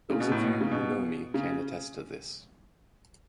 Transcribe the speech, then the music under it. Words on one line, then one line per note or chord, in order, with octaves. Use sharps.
Those of you who know me can attest to this.
C#3
B2
A2
B2
C#3
B2
C#3